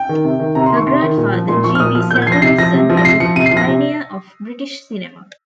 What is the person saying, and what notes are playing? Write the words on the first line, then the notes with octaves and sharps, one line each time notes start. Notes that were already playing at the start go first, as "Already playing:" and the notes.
Her grandfather, G. B. Samuelson, was a pioneer of British cinema.
Already playing: G5
D#3
C3
D#3
C3 A#5
C6
D#3
C#6
C3 C6
D#3
A#2
F3
A#2 C6
F3 C#6
F6
A#2 D#6
F3 F6
A#2 G6
G#6
F3 C7
A#6
C3 C7
F3 A#6
C3
F3
A#6
C3 C7
F3 C#7
C3 D#7
C7
F3
A#6
C3